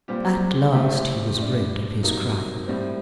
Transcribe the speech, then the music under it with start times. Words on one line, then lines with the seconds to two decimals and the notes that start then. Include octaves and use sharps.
At last he was rid of his crime.
0.08 A#2 G3 C4 G4
0.73 A2 A3 C4 G4
1.38 A2 G3 D4
2.03 C3 F#3 A#3 D#4
2.67 A2 G3 C4